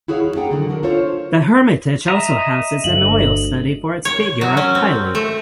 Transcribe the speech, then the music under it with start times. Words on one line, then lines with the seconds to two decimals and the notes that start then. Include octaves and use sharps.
The Hermitage also houses an oil study for its figure of Pilate.
0.08 E4 F#4 G#4 C#5 D#5 F5
0.24 F#2
0.36 A#3 D4 G#4 F#5 G5 A#5
0.51 D3 D#3 F#3 F#4
0.70 D4 A#4
0.83 D4 F4 A4 C5 C#5
2.08 D#5 E5 A#5
2.84 G1 D2 F#7
4.05 C#5
4.41 F#3
4.57 C#4
4.75 C4
5.15 A3